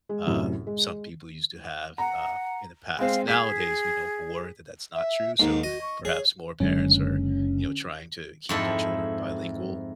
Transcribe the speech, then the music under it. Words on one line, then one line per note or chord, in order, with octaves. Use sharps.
uh, some people used to have, uh, in the past. Nowadays, we know more that that's not true, so perhaps more parents are, you know, trying to keep their children bilingual.
G#3
C2 F#2 A2 C3
G#3
F#5 A#5
G#3 C4 F5
G#4 B6
E5
D#2 G#2 D#4
F#4 D#5
C#6
G#4 C#5
F#1 D3 F#3 G#3 C#4
F2 G#2 E4 A4